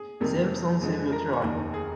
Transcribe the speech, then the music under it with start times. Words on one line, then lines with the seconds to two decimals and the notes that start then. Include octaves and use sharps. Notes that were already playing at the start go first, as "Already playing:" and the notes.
Simpson civil trial.
Already playing: G#4
0.20 F2 C3 D#3 G3 A#3
0.81 F2 D3 F3 G#3
1.12 A#4
1.43 F1 D#2 D#3 A#3
1.74 G#4